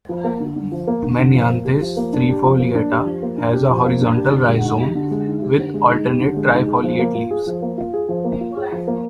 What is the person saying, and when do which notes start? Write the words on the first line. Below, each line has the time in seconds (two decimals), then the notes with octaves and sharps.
"Menyanthes trifoliata" has a horizontal rhizome with alternate, trifoliate leaves.
0.09 F3
0.24 A#3
0.40 D3
0.56 D3
0.72 F3
0.87 A#3
1.03 D3
1.18 D3
1.34 F3
1.50 A#3
1.65 G4
1.81 F3
1.97 A#3
2.13 D4
2.28 G4
2.44 F3
2.60 A#3
2.75 D4
2.92 G4
3.07 F3
3.22 A#3
3.38 D4
3.54 G4
3.70 F3
3.86 A#3
4.01 D4
4.17 G4
4.32 D3
4.48 G#3
4.64 D#4
4.80 G4
4.95 D3
5.11 G#3
5.27 D#4
5.42 G4
5.58 D3
5.74 G#3
5.89 D#4
6.05 G4
6.21 D3
6.36 G#3
6.53 D#4
6.67 G#4
6.83 F3
6.99 A#3
7.15 F4
7.31 G#4
7.47 F3
7.62 A#3
7.78 F4
7.93 G#4
8.09 F3
8.25 A#3
8.41 F4
8.56 G#4
8.72 F3
8.87 A#3